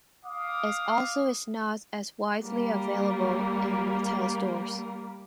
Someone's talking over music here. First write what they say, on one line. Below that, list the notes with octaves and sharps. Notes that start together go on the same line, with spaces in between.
It also is not as widely available in retail stores.
F5 D6 D#6
G3 A#3